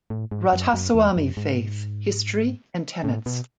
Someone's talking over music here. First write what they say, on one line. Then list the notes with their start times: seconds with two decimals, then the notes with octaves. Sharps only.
"Radhasoami Faith - History and Tenets".
0.10 A2
0.31 G#2
0.53 F#2
0.74 F#2
0.94 E2
1.16 F#2
1.37 G#2
3.04 A2
3.26 B2